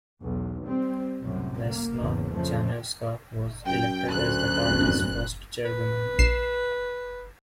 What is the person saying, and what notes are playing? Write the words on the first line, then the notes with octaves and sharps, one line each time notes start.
Vesna Janevska was elected as the party's first chairwoman.
B1 E2
G3 C4
C2 F#2 A2 C3
A#3
G#1 E2 C#3
F2 C#3 F3 A3
F#2 G5
D2 F#6
B4
A#1 C7 E7